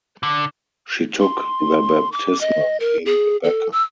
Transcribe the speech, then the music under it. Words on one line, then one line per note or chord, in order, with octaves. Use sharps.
She took the baptismal name "Rebecca".
D3
C6
D6
D#5
A#4
G#4
A4
E6